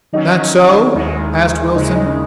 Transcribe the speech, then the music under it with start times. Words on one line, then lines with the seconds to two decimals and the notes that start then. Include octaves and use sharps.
"That so?" asked Wilson.
0.13 D#3 F#3 C#4 D#4
0.94 D#2 D#3 G#3 E4
1.75 D#2 C#3 G#3 D#4
1.85 E4
1.95 D#4
2.06 C#4